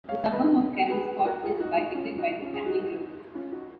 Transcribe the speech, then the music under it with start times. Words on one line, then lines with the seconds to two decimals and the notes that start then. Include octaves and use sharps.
The suburb of Kelmscott is bisected by the Canning River.
0.09 C#5 F5
0.32 B4 D#5
0.90 G#4 B4
1.25 F#4 A#4
1.43 F4 G#4
1.60 D#4 F#4
1.77 D#4 F#4
1.95 C#4 F4
2.18 D#4 F#4
2.42 C#4 F4
2.54 G#4
2.65 D#4 F#4
3.35 C#4 F4
3.52 D#4 F#4